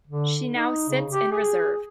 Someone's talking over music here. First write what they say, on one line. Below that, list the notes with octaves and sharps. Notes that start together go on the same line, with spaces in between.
She now sits in reserve.
D3
D#4
C#3
G4
G#4